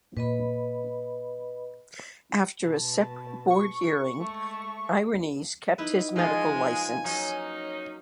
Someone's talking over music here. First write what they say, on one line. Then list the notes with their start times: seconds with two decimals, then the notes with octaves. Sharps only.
After a separate board hearing, Irones kept his medical license.
0.17 A#2 B4 D#5 B5
2.63 B2 A5
3.50 C#6
4.19 G#3 A3 E5
5.78 D#4 E4 B4
6.16 F3 G#3 F4 G#5
7.05 F#3 A#3 C#4 D#4